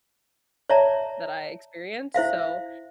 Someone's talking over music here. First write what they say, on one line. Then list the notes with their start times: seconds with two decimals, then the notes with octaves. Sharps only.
that I experienced. So,
0.70 C#5 D5 E5 A5 A#5
2.14 E4 C5 E5 F5